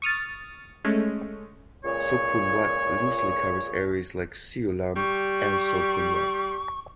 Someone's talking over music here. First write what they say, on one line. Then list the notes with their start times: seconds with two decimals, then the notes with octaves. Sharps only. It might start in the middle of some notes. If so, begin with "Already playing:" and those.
So Kwun Wat loosely covers areas like Siu Lam and So Kwun Wat.
0.02 C#6 D#6 F6 A6
0.84 G#3 A3 C#4
1.84 C#2 A#2 G#4 C#5
4.96 G3 C#6